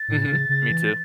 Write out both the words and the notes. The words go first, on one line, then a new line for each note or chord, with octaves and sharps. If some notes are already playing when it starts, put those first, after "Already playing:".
Mhm. Me too.
Already playing: A6
A2
C#3
C#3
E3